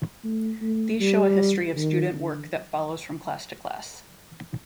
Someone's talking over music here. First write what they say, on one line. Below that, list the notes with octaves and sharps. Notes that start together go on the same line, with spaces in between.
These show a history of student work that follows from class to class.
A3
A3
G3
D#3
D3